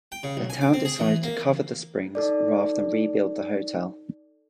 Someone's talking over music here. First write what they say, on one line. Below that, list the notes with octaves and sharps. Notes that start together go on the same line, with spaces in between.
The town decided to cover the springs rather than rebuild the hotel.
G5
C#3
B1
G#5
D6
C4
G#4
E3
A#3
D#4 A4 D5